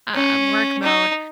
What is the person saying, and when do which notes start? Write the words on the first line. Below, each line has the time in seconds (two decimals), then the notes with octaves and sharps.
um, work mode,
0.14 C#4
0.83 D#4